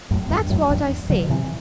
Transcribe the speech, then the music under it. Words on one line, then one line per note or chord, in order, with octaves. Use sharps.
That's what I say.
F#2 A2
E2 G2
F#2 A2
E2 G2
D3 F#3
C3 E3